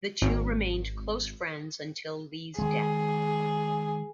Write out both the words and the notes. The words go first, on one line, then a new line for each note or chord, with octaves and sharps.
The two remained close friends until Lee's death.
G#1
D#3 G#3 G#4